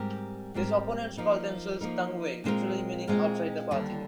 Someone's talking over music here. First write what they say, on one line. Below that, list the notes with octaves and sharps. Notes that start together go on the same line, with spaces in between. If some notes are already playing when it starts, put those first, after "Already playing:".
These opponents called themselves "Tangwai", literally meaning "outside the party".
Already playing: G#2 G3 C4 G4 A#4
G#2 G3 C4 G4 A#4
F3 A#3 D#4 A#4
F3 A#3 D#4 A#4
A#2 G#3 C4 F4 A#4
A#2 G#3 C4 F4 A#4
D#2 D3 G3